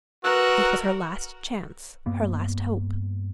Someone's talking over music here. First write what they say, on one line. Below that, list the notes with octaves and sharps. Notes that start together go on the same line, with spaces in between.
It was her last chance, her last hope.
F#4 A#4 B4 E6 F#6
G2 A#3 B3